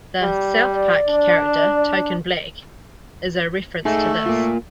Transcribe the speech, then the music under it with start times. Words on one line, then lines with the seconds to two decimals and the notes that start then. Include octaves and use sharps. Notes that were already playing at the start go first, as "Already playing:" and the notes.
The "South Park" character Token Black is a reference to this.
0.22 G3
0.73 D5
1.08 D4
3.85 A3 D#4 G#4
4.26 A#3 F4